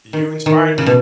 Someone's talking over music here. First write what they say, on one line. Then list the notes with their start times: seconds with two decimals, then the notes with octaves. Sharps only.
You inspired me.
0.13 D#3
0.46 D#3
0.78 C#3
0.86 B2